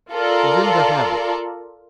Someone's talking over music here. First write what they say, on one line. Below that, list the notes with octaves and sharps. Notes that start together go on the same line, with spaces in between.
And then the habit!
F4 A4 A#4 D5